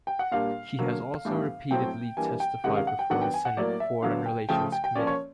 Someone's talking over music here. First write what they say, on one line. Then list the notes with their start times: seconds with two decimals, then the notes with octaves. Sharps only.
He has also repeatedly testified before the Senate Foreign Relations Committee.
0.07 G5
0.19 F#5
0.32 A#2 G3 A#3 D4 F5
0.79 D3 F#3 A#3
1.25 A2 E3 G3 B3 D4
1.71 A2 F#3 A3 C4 G5
2.17 E3 G3 A#3 D4 G#5
2.40 G5
2.64 C3 D#3 G#3 C#4 F#5
2.76 F5
2.87 F#5
2.99 G5
3.10 D#3 F#3 B3 D4 F#5
3.22 G5
3.34 G#5
3.45 F#5
3.57 A2 F#3 A#3 D5
3.80 E5
4.02 D3 F#3 B3 D4 F5
4.26 G5
4.49 C#3 F3 A3 G5
4.72 G5
4.84 G5
4.95 F3 A#3 C#4 D5
5.07 C#5